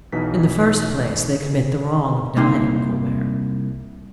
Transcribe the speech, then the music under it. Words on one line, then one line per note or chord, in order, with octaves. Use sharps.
"In the first place, they commit the wrong of dying, Colbert."
B1 B2 E3 D#4 B6
C2 A#3 D#4 G5 C6